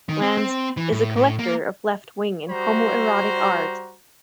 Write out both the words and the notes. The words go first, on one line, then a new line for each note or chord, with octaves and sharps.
Landes is a collector of left-wing and homoerotic art.
D#3
C4
C4
E3
A2
A2
A#3
G3 F#4 C5 A#5